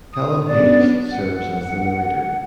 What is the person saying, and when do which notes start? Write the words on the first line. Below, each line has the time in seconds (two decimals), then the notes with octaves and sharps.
Helen Hayes serves as the narrator.
0.13 D#6
0.47 B3 C#4 D4 D5
1.10 F#5